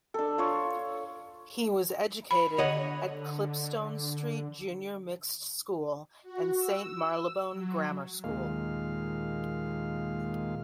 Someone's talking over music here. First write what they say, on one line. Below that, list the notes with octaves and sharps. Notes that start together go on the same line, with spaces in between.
He was educated at Clipstone Street Junior Mixed School and Saint Marylebone Grammar School.
D4 A4
F4 C#5
B5
D3 C#5 D#5 F#5
F#4
E6
F#3
D#2 A#2 G#3 F5